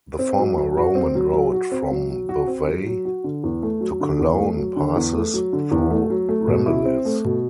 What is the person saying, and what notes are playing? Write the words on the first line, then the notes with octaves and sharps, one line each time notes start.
The former Roman road from Bavay to Cologne passes through Ramillies.
C4
F#3
F#3
F#4
C4
F#3
F#3
F#4
C4
F#3
F#3
F#4
C4
F#3
F#3
F#4
D3
E2
A3
F#3
D3
E2
A3
F#3
D3
E2
A3
F#3
D3
E2
A3
F#3
A3
B2
E4
C4
A3
B2